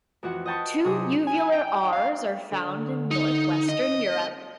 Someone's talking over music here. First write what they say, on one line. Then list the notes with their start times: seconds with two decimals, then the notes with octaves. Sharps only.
Two uvular Rs are found in north-western Europe.
0.23 F2 E3 F#4 F#5
0.46 D#5 F#5 G5 A5 B5 C#6
0.84 C3 F#3 G#4 C5
1.27 G#5
1.52 G5
1.93 F5
2.52 D3
3.11 D#4
3.69 D#5